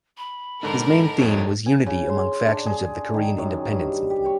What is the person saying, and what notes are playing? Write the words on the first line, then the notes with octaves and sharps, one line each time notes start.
His main theme was unity among factions of the Korean independence movement.
B5
G#2 D3 D#4 A4 A#4
F2 A2 C#5
G#5
C#3
C6
D4
G#4
D#3
F#2
G2
G4
C#5